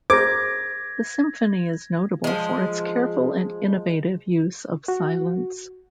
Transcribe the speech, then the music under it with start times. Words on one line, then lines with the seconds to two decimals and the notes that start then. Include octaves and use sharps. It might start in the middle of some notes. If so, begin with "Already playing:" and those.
The symphony is notable for its careful and innovative use of silence.
0.10 G#4 A#4 C5 D6 G#6 A#6
2.24 F3 G#3
4.88 F#4